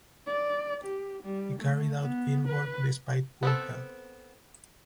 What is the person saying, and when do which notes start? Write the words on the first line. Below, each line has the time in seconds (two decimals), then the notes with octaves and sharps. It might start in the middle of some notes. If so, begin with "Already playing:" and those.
He carried out field work despite poor health.
0.27 D5
0.84 G4
1.23 G3
1.59 A3
2.01 B3
2.48 B4
3.43 B3 C4 A4